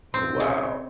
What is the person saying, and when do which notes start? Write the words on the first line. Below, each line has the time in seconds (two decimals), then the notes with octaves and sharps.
Oh, wow.
0.14 C4
0.40 C#3